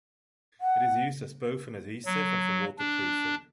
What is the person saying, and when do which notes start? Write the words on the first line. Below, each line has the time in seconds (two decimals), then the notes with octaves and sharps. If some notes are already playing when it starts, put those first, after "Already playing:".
It is used as both an adhesive and for waterproofing.
0.61 F#5
2.06 F#3
2.79 D4